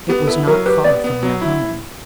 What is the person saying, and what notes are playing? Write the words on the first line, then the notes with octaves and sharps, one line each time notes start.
It was not far from their home.
B3 G4
E4 A4
F#3 A#4
G4 B4
B3 D5
B3
F#3
E4